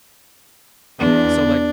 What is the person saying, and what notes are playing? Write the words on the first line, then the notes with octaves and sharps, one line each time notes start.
So like
E2 D4